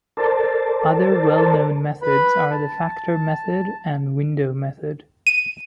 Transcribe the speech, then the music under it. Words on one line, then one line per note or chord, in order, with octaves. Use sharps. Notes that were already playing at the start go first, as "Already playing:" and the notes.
Other well-known methods are the "factor method" and "window method".
A4 A#4 C5 D5 A5
B4 B5
A5
D#7